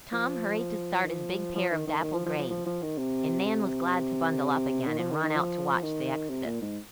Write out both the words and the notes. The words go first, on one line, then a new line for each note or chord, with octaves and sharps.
Tom hurried to start his big pair of dapple grays, and Nan was glad to bundle up again and run out to watch the exodus.
F3
D#3
F3
F3
D#3
D#3
D#3
F3
F3
F3
F3
F3
D#3
C3
C3
D#3
F3
D#3
D#3
F3
D#3
C3
A#2
G#2